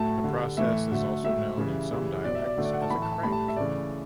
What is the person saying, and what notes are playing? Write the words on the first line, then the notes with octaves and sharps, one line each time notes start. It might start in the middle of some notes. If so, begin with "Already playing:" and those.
This process is also known in some dialects as a crank.
Already playing: A2 F#3 A3 A5
D3 G3
A2 E3 A3 E5
D3 F#3 A3
A2 F#3 A3 E5
C#3 E3 G3
C#3 E3 G3
B2 G3 D5
E5
D5
D3 F#3 A3
D5
F#5
A5
A2 E3 A3 B5
A5
A5
A2 G3 B5
A5
E5
C#3 E3 A3 D5